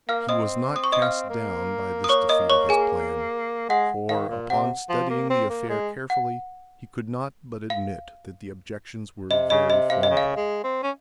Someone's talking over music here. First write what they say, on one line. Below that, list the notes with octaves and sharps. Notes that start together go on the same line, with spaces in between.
He was not cast down by this defeat of his plan, for, upon studying the affair carefully, he could not but admit that the objections were very formidable.
A#3 F5 F6
C4 D#5 D#6
D#6
C#6
D#5 D#6
F5 F6
A#3
D#6
C#5 C#6
D#5 D#6
C#5 C#6
G#4 G#5
G#3 F#5
D#3 F5
A#2
C3 F#5
F3
A#3
C4
A#3
G#3
F#5
F5
C3 D#5
C#3 D#5
C3 D#5
C3 F5
D#5
C#3
F5
G#3
C4
C#4